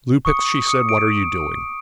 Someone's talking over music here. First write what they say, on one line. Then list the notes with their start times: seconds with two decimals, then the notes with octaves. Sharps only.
"Lupex," she said, "what are you doing?"
0.25 C#6 D#6 C#7
0.67 D6 D#6 C#7
0.89 D7